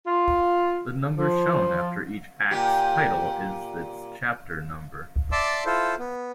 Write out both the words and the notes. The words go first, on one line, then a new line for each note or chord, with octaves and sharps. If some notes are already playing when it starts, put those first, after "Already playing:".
The number shown after each Act's title is its chapter number.
F4
F3
A#2 G4
D5 E5 A5 C6 D6 E6
E4 F4 A4 C5
B3